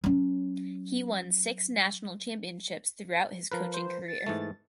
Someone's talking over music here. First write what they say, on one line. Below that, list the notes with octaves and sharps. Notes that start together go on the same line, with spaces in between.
He won six national championships throughout his coaching career.
F#3 C#4
F3 A#4 B4
C5
A6
G#2 E3 A3